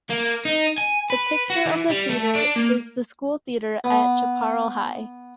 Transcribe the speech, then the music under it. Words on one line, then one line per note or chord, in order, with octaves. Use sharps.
The picture of the theatre is the school theatre at Chaparral High.
A#3
D#4
G#5
B4
F#4
E3
G3
A3
D4
A#3
B3